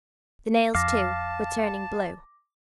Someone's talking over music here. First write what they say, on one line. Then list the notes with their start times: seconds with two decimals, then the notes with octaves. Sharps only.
The nails, too, were turning blue.
0.75 F2 F5 A5 D6 A#6